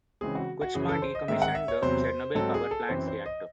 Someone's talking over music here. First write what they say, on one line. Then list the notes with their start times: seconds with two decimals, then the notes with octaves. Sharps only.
Kuchma decommissioned the Chernobyl power plant's reactor.
0.21 C#3 E3 G#3 C4 G#4
0.35 F#4
0.61 F#4
0.74 F#2 C#3 E3 G#4
0.89 A4
1.02 C5
1.15 D#5
1.28 G#2 D#3 G#3 C4 E5
1.42 F#5
1.55 E5
1.68 C#5
1.82 E2 C3 F#3 C5
2.35 G#2 F#3 C4 A4
2.54 G#4
2.71 A4
2.89 F#2 E3 C4 C5
3.08 C5
3.26 D#5